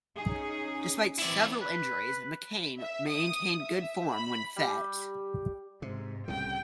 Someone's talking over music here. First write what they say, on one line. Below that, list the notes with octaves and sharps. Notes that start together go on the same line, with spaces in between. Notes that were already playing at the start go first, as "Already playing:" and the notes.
Despite several injuries McKain maintained good form when fit.
C#4 D#4 G#4
E3 C4 E4 D5
B4
E5
D#6
E5
B5
G3
G#2 C3
C2 A2 C#3 G5